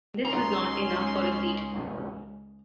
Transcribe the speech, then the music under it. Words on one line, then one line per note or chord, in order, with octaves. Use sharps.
This was not enough for a seat.
C#2 C#4 D#4 A#5 C6